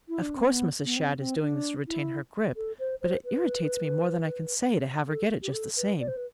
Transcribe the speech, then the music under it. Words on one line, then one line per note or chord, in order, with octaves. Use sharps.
Of course Mrs. Shadd is doing this to retain her grip, but it irritates me more than I can say to have her get it just the same.
E4
D4
C4
B3
B3
C4
C4
D4
E4
A4
C5
C5
B4
A4
G4
A4
B4
D5
C5
B4